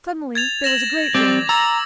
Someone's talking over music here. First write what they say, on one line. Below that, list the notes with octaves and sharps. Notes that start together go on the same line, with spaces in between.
Suddenly there was a great wind.
G#6 A6 F7
A#6 E7 F#7
G3 C4 D6 A6
A#5 E6 A6